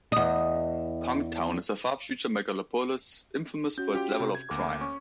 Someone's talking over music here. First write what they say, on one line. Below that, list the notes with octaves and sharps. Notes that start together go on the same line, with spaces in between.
Punktown is a far-future megalopolis, infamous for its level of crime.
E2 D#5
C#4 F#4 G6
F4 G4 G5
C3
G#6
D2 A#3 D6
C#4 C#6